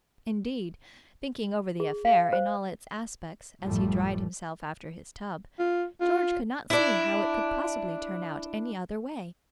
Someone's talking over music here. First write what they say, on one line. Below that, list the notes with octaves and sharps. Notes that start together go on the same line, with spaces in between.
Indeed, thinking over the affair in all its aspects as he dried himself after his tub, George could not see how it could possibly turn out any other way.
G#4
F5
C5
A1 F#2 A2 F3 G3 A3
F4
F4
D4 E4